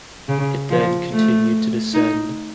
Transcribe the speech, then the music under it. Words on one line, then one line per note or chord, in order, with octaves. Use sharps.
It then continued to descend.
C#3
F3
A3
D#4